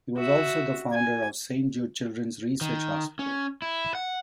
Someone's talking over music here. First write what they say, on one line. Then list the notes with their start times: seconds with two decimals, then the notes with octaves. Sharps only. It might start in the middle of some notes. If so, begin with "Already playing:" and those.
He was also the founder of Saint Jude Children's Research Hospital.
0.17 F#4 E5
0.93 G#5
2.61 D#3
3.19 C#4
3.62 E4
3.95 F#5